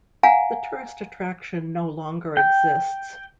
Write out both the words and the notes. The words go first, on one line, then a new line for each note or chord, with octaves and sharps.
The tourist attraction no longer exists.
F5 F#5 G#5 A#5
G5